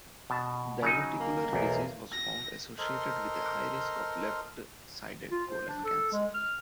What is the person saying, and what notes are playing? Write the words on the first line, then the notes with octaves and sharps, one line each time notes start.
Diverticular disease was found associated with a higher risk of left sided colon cancer.
B2 A5
C#3 F#3 D#4
A#3
B1 E2
A#6
A4 A#4 C5 D#5 C6 F6
F4
C5
D4
A4
G#3
F6